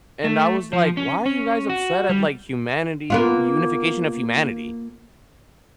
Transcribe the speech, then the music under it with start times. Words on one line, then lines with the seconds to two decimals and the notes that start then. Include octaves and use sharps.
and I was, like, "Why are you guys upset at like humanity, unification of humanity?"
0.24 A3
0.73 F3
0.97 C#4
1.26 C#4
1.69 F#4
2.09 G3
3.10 A#3 B3 F4